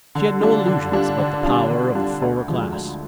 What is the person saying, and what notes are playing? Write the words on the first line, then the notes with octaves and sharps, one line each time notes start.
She had no illusions about the power of the former class.
D3
G3 D4 F4
D3
G3 D4 F4
D3
G3 D4 F4
D3
G3 D4 F4
D2
D3 F3 G#3
D2